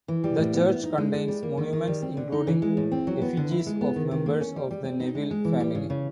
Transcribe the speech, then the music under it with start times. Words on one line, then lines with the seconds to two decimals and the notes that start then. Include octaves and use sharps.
The church contains monuments including effigies of members of the Neville family.
0.08 E3
0.24 G3
0.38 A2
0.54 B3
0.69 B3
0.84 D#4
0.98 G#3
1.13 G#3
1.28 G3
1.43 A#3
1.58 D#3
1.73 D#3
1.87 G3
2.02 C4
2.17 D3
2.32 D#4
2.47 E3
2.62 G#3
2.77 A2
2.92 C4
3.07 F#3
3.22 B3
3.37 D3
3.51 E4
3.66 G#3
3.81 B3
3.96 D#3
4.11 D#3
4.26 A#3
4.41 C#4
4.56 G3
4.71 G3
4.85 C4
5.00 D#4
5.15 G#3
5.31 G#3
5.45 E3
5.60 G3
5.75 C#3
5.90 C#3